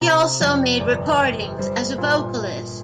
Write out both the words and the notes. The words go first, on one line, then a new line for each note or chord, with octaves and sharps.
He also made recordings as a vocalist.
C3 A#5
F2 D5
G1 D5
G1
G3 C5
A#2